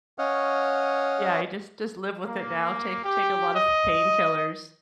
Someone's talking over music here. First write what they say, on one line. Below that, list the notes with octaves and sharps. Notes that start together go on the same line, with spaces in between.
Yeah, he just just live with it now, take take a lot of painkillers.
C#4 C#5 D#5 F5 F#5
A#3
G4
D#5